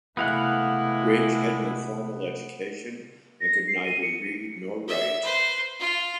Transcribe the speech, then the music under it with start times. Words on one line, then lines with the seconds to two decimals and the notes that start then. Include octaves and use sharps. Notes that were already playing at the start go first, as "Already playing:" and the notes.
Ridge had no formal education and could neither read nor write.
0.17 C3 E3 G#3 A3 B3 E4 F5 F#5
3.41 A#6
3.68 C7
3.85 D#7
4.02 C#7
4.88 E5
5.23 B4 C5
5.80 F4